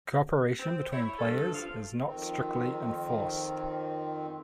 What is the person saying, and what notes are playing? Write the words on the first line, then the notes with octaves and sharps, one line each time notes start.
Cooperation between players is not strictly enforced.
C4
E4 C#5
G2 A4
F3 F5
F2 D#3 C4